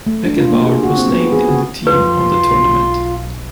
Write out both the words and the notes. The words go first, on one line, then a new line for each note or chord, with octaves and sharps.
Beckenbauer was named in the Team of the Tournament.
A3
D4
F4
A#3
G#4
F#4
C4
B3
G#4
F#4
F2 F4 B4 C6
B1